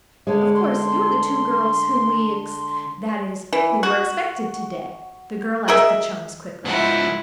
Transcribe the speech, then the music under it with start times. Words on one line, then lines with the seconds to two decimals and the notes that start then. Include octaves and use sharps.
"Of course, you are the two girls whom we ex--that is, who were expected to-day?" the girl asked the chums, quickly.
0.27 D3 G#3 C#5
0.55 C6
3.53 E3
3.83 F#4
5.68 G#4 A#4 D#5 E5
6.65 G#2 F3 E4 F#5